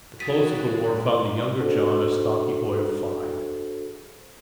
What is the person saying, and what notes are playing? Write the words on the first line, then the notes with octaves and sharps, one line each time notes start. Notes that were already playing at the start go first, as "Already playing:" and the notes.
The close of the War found the younger John a stocky boy of five.
G2 F#3 F#4 D#6 A6 B6 D7 D#7
D4 F#4 G#4 A4 C5